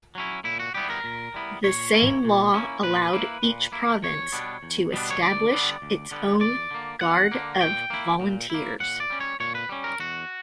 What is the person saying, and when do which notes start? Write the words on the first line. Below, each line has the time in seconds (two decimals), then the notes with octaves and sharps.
The same law allowed each province to establish its own "Guard of Volunteers".
0.15 F#3 C#4 E4
0.44 A#2 E4
0.60 F#4
0.74 G3 B3 E4 G4
0.90 A#4
1.04 A#2
1.34 G3 B3 E4
1.64 A#2 C#5
1.94 A#3 C#4 E4
2.24 A#2
2.54 A#3 C#4 E4
2.83 A#2 B4
3.13 A#3 E4
3.43 A#2
3.72 A#3 E4
4.03 E2 C#5
4.32 B2 G3 B3 D4
4.63 E2
4.93 B2 G3 B3 D4
5.11 C#5
5.22 D2 D5
5.52 D3 G3 B3
5.82 D2
6.11 D3 G3 B3
6.41 E2 D5
6.71 D3 A#3
7.01 E2 F#5
7.31 D3 A#3
7.60 A#2 G5
7.90 A#3 E4
8.21 A#2
8.50 A#3 E4
8.80 A#2 F#5
9.00 D5
9.10 G3 C#4
9.20 C#5
9.40 A#2 C#5
9.55 B4
9.69 G3 C#4
9.84 A#4
10.00 E2 F#4